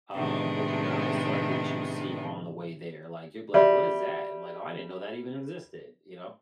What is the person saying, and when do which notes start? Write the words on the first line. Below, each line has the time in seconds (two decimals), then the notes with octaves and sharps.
um, open your eyes to, like, what you see on the way there, like, you'll be like, "What is that?" I'm like, "Oh, I didn't know that even existed." You know?
0.15 A2 C3 D#3 G#3 B3 D4
3.54 G3 F#4 D5 E5